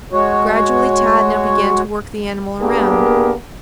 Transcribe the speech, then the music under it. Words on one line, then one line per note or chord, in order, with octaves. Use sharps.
Gradually Tad now began to work the animal around.
G#3 F#4 C#5
A#3 B3 D4 G4 G#4 A#4